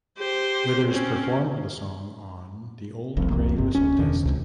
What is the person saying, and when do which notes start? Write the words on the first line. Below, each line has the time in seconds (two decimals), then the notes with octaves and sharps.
Withers performed the song on "The Old Grey Whistle Test".
0.19 G4 C5
0.88 C4 C#4
3.17 F1 C2 F2
3.30 C2 F2 A#3
3.56 G1 C3
3.75 D1 C#4
3.99 E2 B2 D3 D#3
4.23 C#2 C3